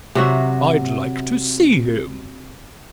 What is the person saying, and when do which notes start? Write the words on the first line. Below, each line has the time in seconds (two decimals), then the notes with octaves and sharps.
"I'd like to see him."
0.15 C3 F#3 F#4 E5